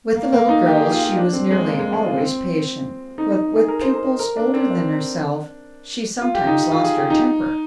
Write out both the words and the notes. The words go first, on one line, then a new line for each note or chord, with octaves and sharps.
With the little girls she was nearly always patient, but with pupils older than herself, she sometimes lost her temper.
A#3
A#3
D#4
G4
G#4
F4
F4
D4
C4
G#3
A#3
G#3
G#3
F4
C4
D#4
D#4
G#4
A#4
C5
A#4
A#4
D4
C4
D4
F4
G4
D#4
G4
F4
G#4
G4
D#4